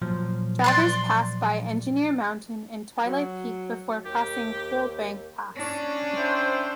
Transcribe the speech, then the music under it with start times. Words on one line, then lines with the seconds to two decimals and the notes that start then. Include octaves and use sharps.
Drivers pass by Engineer Mountain and Twilight Peak before crossing Coal Bank Pass.
0.02 A#2 F3 F#3
0.64 D5 C6 F#6
3.05 F#3
4.05 D#2 G4
5.56 C#4 D4
6.17 C4 E4 C5